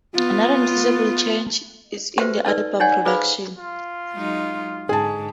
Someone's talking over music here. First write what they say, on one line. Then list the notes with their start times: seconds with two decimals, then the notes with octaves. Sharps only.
Another noticeable change is in the album's production.
0.15 B3 F4
2.19 F#4 G4 A4 B4 C5 E5
2.45 D#4 A4 B4 D5 E6
2.80 D#4 G4 C#5 D5 F#5 G#5
3.05 F4 G#4 B4 C5 F5 B5
3.58 F4
4.13 F#3 G#3 D#4
4.89 G#2 D3 G#4 A5